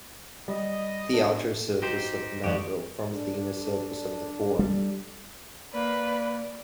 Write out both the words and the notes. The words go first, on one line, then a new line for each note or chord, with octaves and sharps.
The outer surface of the mandrel forms the inner surface of the form.
G3 D#5
D4 A4
D#4 F#4 G4 C5
F2 D#3 G#3 F#4 G4 D5
D4 A4
G3
A#3 B4 D5